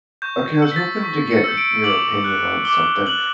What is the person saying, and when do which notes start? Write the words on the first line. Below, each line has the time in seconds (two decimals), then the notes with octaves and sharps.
Okay, I was hoping to get y your opinion on something.
0.22 C#6 G6
0.49 G6
0.62 E6 G6
0.72 B6
0.76 A6
1.03 C#6 B6
1.31 C#7
1.44 E6 G6
1.57 D7
1.84 D6 F#7
2.24 F#6
2.65 D6 G7
3.06 F#6 F#7